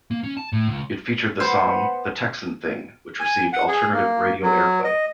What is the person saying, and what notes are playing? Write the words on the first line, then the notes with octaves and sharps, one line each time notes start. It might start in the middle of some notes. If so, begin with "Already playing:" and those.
It featured the song, "The Texan Thing", which received alternative radio airplay.
A#3
C#4
A5
A2
C#2
B3 C5 F#5 B5
G#5
F#5
G#4
A#3
F#3
D#5